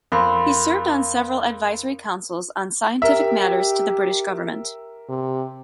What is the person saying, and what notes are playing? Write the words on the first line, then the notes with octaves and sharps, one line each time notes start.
He served on several Advisory Councils on scientific matters to the British Government.
F2 A#4 B5 C6
G4 A#4 E5
C3